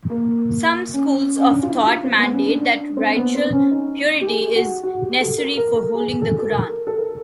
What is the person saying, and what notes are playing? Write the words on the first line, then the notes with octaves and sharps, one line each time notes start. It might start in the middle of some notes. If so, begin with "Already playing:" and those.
Some schools of thought mandate that ritual purity is necessary for holding the Quran.
A#3
C#4
C#4
D4
F4
E4
F4
C4
B3
C#4
D4
D4
C4
B3
C4
C#4
D#4
G4
G#4
F#4
F#4
G4
A4
A#4
A#4
A4
G#4
A4
A4
A#4
A4
A#4